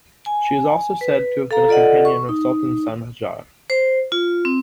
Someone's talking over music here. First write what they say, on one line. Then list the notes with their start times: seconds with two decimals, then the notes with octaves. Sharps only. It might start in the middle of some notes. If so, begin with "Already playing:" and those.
She is also said to have been a companion of Sultan Sanjar.
0.26 G#5
1.01 B4
1.51 A4 F5 A#5
1.68 F4 A4 D5 D#5 F#5
2.05 C#6
2.29 D#4
3.70 C5
4.12 F4
4.45 C4